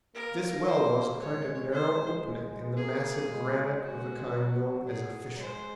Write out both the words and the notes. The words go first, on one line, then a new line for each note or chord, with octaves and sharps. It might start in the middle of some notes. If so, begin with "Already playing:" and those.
This well was a kind of narrow opening in the massive granite of the kind known as a fissure.
A#3 A#4
C5
G#3 C#5
G#3 C5
A#3 G#4
G#3
G#3 F#4
F#3
F#3 G#4
G#3 C5